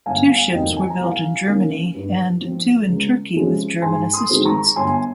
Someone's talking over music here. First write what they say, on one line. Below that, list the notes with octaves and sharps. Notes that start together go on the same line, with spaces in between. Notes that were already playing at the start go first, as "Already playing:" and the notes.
Two ships were built in Germany and two in Turkey with German assistance.
G1 F5 G#5
F5 G#5
F2 C3 D#3 A#3 D#5 G5
G#5
A#5
C2 F5 G#5
C3 D#3 A#3 C#4
G2
F3 C4
C#2
C3 F3 G#3 C#4
G#2 G#5 C6
C6 D#6
D#3 G#3 C4
A#5 C#6
G1 G#5 C6
G#5